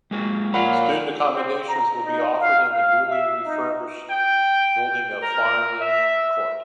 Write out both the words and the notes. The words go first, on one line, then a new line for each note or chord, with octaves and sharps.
Student accommodation will be offered in the newly refurbished building at Farndon Court.
G#3 A#3 F#4
A#2 C#5 F5 F#5 A#5 B5
C4
A#5
D#4
F5
F5
E5
D#4
G5
A#4
E5